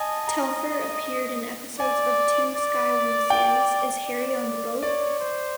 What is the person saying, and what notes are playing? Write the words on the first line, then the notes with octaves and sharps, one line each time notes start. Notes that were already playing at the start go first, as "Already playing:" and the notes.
Telfer appeared in episodes of two Sky One series: Is Harry on the Boat?
Already playing: D#5 G#5 A5
A#5
D5 G#5
D5
G5
D5
C#5 D5
C5